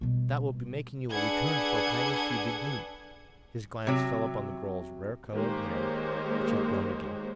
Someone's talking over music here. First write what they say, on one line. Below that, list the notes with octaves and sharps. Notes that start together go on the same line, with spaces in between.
"That will be making you a return for a kindness you did me." His glance fell upon the girl's rare-colored hair, which had grown again.
B2 G3
D4 G#4 A4 B4 F#5 G#6
C3 F#3
D#3 G#3 A#3 G4 C5 C#5